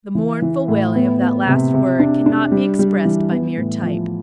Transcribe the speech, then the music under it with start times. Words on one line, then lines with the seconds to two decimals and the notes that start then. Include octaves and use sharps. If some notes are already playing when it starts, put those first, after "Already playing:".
The mournful wailing of that last word cannot be expressed by mere type.
0.15 E3
0.42 E3
0.68 A2
0.95 B3
1.21 B3
1.47 C3
1.74 C3
1.99 D4
2.26 D4
2.52 G3
2.79 G3
3.05 E3
3.31 B3
3.57 A2
3.83 F3